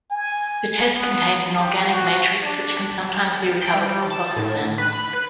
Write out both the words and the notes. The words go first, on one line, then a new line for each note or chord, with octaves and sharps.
The test contains an organic matrix, which can sometimes be recovered from fossil samples.
G#5
B3
G4
F#4
D4
G5
G3
A5
A2
B4
B5
B4